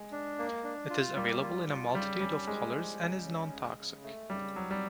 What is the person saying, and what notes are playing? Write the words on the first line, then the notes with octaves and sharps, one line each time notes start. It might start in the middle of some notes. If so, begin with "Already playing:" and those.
It is available in a multitude of colors and is non-toxic.
Already playing: G#3
D4
A#3
D4
F4
G3 A#3
F4
F4
C#3 G3
G3 C#4
F3 G#3
F3
C#3
C#4
C#3
C#3
A3
C#3 G3
F3 F#3
G3